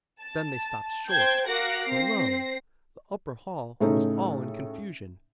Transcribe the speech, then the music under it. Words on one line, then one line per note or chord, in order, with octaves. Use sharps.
Then they stopped short, for lo! the upper hall was all in confusion.
A5
C5 G5 A5 G6 G#6
F#4 A#4 F5 D6 F#6 A#6
C4 A#6 C7
A2 C#3 A3 C#4 D#4